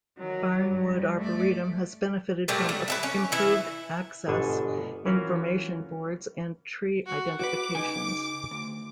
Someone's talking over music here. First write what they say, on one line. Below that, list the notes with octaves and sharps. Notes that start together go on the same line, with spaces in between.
Barnwood arboretum has benefited from improved access, information boards and tree identifications.
D#3 F#3
G2
A3 D5
A#2 F#3 G3 A3
G3
E4 A4 B4
C#4
E3 E4
G1 G#2 B2 D4 A4 G#5
E3 C#4 F4 F#4 A#4
F#4
F#4 B4 D6
C#3 D#4 G#5
D2